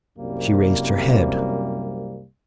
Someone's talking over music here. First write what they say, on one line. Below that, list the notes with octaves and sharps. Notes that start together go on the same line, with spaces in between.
She raised her head.
C2 F#2 C3 G3 A#3